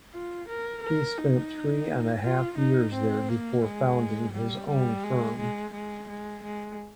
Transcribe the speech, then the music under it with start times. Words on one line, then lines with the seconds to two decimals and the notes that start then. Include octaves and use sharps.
He spent three and a half years there before founding his own firm.
0.13 F4
0.49 A#4
0.83 A#4
1.18 D#4
2.23 F4
2.58 D#4
2.94 C4
3.29 A#3
3.64 G#3
4.33 G3
4.69 G3
5.03 G#3
5.38 G#3
5.74 G#3
6.09 G#3
6.44 G#3